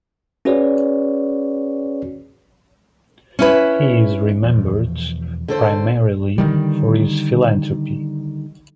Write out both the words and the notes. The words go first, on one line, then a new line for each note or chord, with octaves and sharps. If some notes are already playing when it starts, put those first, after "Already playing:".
He is remembered primarily for his philanthropy.
C#4 F#4 G#4 B4 C#5 D5
C#4 E4 B4
E2 B2 F3
D3 A4 C5
D3 D#3 G3